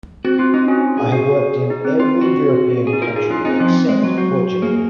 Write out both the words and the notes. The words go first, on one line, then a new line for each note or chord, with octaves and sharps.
I have worked in every European country except Portugal.
C4 F#4
C4 F4
C4 D#4
C#4 F#4
G#4
F#4 G#4
D#4
C4
C4 F4
F#4
G#4
D#4
F4 A#4
D#4 G#4
C#4 F4
C4 D#4
F3 C4
G#3
F#3
F#4
A#3 G#4